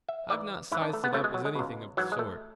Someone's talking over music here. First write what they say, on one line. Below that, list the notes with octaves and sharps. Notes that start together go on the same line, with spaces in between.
I've not sized it up as anything of the sort.
E5
G#2 E3 D5
G#2 E3 E4
D4
A3
B3
C#2 B2 A3
G#3
F#3
G#3
C#2 B2
G#2 E3 F#3
G#3
A3